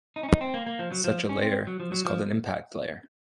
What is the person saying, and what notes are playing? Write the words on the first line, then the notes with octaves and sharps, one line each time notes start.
Such a layer is called an "impact layer".
D#4
C#4
D#4
C4
A#3
A#3
F3
F#3
F3
C#4
C4
F#3
F3
F#3
F3